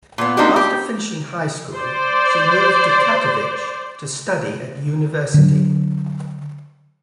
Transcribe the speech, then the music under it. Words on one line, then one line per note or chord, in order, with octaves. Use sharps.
After finishing high school she moved to Katowice to study at university.
A#2 B3
A#3 C4 D4 D#4 F#4 G4
G4
C5 D5
D3 F#3